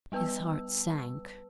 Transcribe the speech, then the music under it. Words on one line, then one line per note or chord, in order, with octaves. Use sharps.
His heart sank.
G3 B3 B4 A5 E6